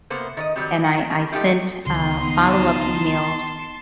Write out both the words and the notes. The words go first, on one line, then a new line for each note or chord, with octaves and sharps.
and I I sent, uh, follow-up emails,
C3 A#3 B3 C5
D#3 C#5 D#5
D#3 F#3 G3 C4
F#5
G3
G#2 F3 A3 D#4 F4 G4
D1 C#2 D#3 B3 D#4 C6
A5 C6